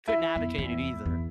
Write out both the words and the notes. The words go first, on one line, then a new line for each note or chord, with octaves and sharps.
couldn't advocate it either.
E4
F2 B3
E2
E2